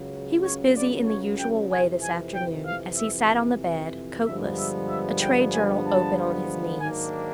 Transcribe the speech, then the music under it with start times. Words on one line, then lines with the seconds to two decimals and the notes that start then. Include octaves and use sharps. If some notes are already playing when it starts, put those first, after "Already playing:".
He was busy in the usual way this afternoon, as he sat on the bed, coatless, a trade journal open on his knees.
Already playing: C#2 C#3 F#3
0.44 C#5
0.76 D5
1.06 C#5
1.39 G5
1.70 F2 C3 E3 G#5
2.03 G#5
2.34 G5
2.66 F5
2.98 E5
4.25 G2 D3 F3 G#3 B3 E5
4.58 E5
4.89 E5
5.21 G5
5.54 G#5
5.85 A5
6.81 G#2 D#3 F#3 A#3 D4 G#5